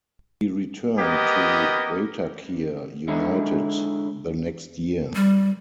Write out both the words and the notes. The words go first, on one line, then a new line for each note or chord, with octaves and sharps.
He returned to Waitakere United the next year.
A#3 B3 G4 D#5
D3 G#3 C#4 D#4 E4
G3